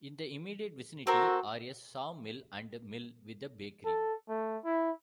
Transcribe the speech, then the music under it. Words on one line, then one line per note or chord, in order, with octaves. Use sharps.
In the immediate vicinity are a sawmill and mill with a bakery.
C4 F#4 A4 A#4
A4
A3
E4